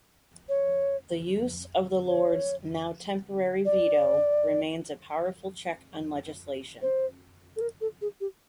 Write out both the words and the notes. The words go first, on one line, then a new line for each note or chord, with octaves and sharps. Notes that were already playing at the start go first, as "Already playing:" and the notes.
The use of the Lords' now temporary veto, remains a powerful check on legislation.
C#5
C#5
D5
C5
A4
A#4
A4
G#4
G4